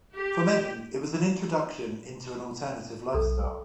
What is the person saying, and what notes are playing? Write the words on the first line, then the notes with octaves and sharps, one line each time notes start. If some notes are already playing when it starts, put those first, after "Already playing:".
For many it was an introduction into an alternative lifestyle.
G4
B1 A4